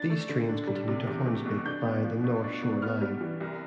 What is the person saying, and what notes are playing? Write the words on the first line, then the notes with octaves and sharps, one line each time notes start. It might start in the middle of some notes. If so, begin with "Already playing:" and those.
These trains continue to Hornsby via the North Shore line.
Already playing: D4 A6
A3
D3
D4
G3
C3
E2
A3
B2
D4 G6
B3
F3
B2
D4
B3
B3 F6
G3
E3
C2